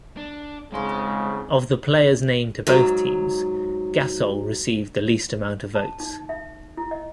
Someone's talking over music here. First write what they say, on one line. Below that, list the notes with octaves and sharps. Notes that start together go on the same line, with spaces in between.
Of the players named to both teams, Gasol received the least amount of votes.
D4
F2 G#2 C#3 G#3 C6
G#2 F#3
A5
D#4
E5
E4
D#5